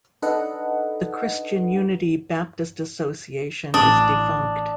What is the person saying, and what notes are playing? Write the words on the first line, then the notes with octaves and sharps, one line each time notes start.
The Christian Unity Baptist Association is defunct.
D4 D#4 A4 B4 D#5 F#5
A1 D4 D#6